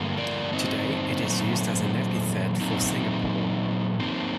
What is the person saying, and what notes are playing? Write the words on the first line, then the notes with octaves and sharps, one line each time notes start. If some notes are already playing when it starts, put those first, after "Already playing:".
Today, it is used as an epithet for Singapore.
Already playing: G2 D3 A#3
A#4 D5
C4 D#4
A#2 F#3 A3
A#2 F#3 A3 C4 D#4
C3 D#3 F#3 A#3 C4 D#4